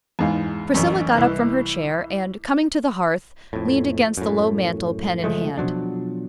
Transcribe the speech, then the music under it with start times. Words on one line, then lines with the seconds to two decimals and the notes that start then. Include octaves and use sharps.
Priscilla got up from her chair, and, coming to the hearth, leaned against the low mantel, pen in hand.
0.19 E2 G#2 F5
0.74 A1 F#2
1.15 C2 E3
3.53 F2 A2
4.17 F#2 A2
5.24 C#3 F3 G#3 A3
5.58 B2 F3 F#3 D4